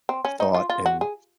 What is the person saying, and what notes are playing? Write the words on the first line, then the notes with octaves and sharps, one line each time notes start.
thought and
C4
C#4
D#4
F4
F4
F#4
G#4